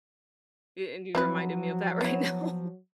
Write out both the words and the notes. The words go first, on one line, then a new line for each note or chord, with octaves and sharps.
A and you reminded me of that right now,
F3 F#3 C4 E4 B4
B3 E4